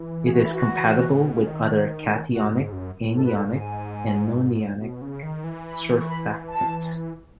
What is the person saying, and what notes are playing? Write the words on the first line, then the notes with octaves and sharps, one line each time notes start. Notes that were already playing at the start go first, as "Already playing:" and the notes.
It is compatible with other cationic, anionic, and nonionic surfactants.
Already playing: E3
G#4
F#4
E4
F#4
A2
B2
C#3
D#3
A2 F#4
G#2
F#2
A2
G#2 A4
B4
A4
G#5
B2
C#3
D#3
E3
B5
C#6
B5
A5